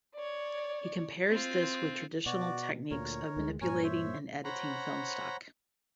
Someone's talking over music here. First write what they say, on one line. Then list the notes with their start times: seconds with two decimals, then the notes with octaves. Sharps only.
He compares this with traditional techniques of manipulating and editing film stock.
0.14 C#5 D5
1.30 C4 F4
2.26 B2 F#4 D5
2.91 D2 A#2 A#4 C#5
3.36 D2 D#3 G#3
3.61 G2 A#2 A#4 C#5 G#5
3.83 C5 C#5 E5
4.45 C5 C#5 F#5 A#5 B5